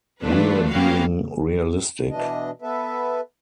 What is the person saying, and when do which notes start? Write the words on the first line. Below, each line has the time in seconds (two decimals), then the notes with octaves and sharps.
We're being realistic.
0.22 E3 F#3 A3 D4 F4 B4
0.70 A#3 B3 C#4 F#4 G4 F5
2.10 B2 E3 D4 D#5
2.62 B3 A4 B4 E5